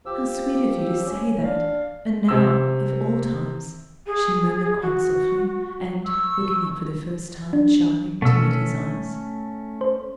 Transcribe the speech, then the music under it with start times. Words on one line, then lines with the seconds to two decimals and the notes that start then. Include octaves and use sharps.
"How sweet of you to say that! and now, of all times," she murmured quite softly, and looking up for the first time, shyly, to meet his eyes.
0.06 F3 G4 E6
1.06 C#4
1.43 D4 F5
2.29 C3 E6
4.07 G#4
4.82 F#4
6.06 C#6 E6
7.53 D4
8.22 B2 A3 C#4 E6
9.81 C5